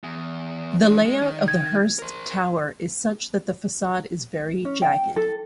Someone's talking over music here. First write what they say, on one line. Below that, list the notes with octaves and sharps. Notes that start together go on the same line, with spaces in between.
The layout of the Hearst Tower is such that the facade is very jagged.
E2
E3 D4
G#3
D#3
G#6
A#4 C5
C#4
G5
A4